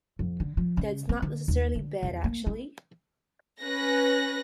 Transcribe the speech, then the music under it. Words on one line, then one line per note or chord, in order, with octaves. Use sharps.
That's not necessarily bad, actually.
F2
D3
F3
C#3
C4
D3
D#2
D3
E2
A#3
E4
C#4 B4 F#6 A#6